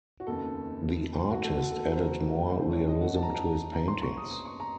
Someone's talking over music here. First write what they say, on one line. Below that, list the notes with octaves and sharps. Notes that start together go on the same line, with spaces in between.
The artist added more realism to his paintings.
F#4
F1 D#2 C#3 A4
F#4
A4
F#4
A4
A#4
C5
A#4
F#2 D#3 A3 C5
C#5
D#5
F#5
A5
A#5
A5
A#5
C6
C#6
D#6
D#6
C#6
A#5